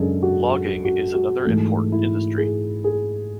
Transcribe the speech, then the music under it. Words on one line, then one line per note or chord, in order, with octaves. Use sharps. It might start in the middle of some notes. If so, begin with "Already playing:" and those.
Logging is another important industry.
Already playing: F#2 C#3 G#3 D4 G#4 A4
F#4
F#4
F#4
G#2 E3 A3
E4
G#4
G#4